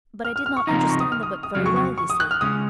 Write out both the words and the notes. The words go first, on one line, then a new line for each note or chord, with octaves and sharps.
But I did not understand the book very well, you see.
F6
F6
F6
C#6
C#3 F3 C4 D#4 A#5
A#5
C#6
D#6
F6
D#6
D#6
F2 C#3 F#3 F6
C#6
C#6
C#6
D#6
F#6
F6
C#3 G#3 C#4 D#6